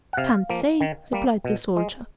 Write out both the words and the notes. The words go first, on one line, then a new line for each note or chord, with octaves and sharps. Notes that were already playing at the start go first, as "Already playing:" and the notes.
"Can't say," replied the soldier.
F#5
C3 F5
F3 A#3
D#3
G3 A#3
B2
G#3